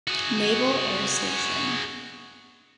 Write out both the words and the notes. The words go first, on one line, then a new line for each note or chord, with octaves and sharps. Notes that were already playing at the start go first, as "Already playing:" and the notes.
Naval Air Station.
F#4 G#4